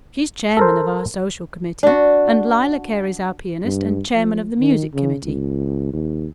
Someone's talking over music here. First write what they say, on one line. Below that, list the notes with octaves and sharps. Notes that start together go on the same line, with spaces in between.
She's chairman of our social committee, and Lila Cary's our pianist and chairman of the music committee.
A4 A#4 C5
D4 F#4
G2
F3
D#3
C#3
C#2
D#2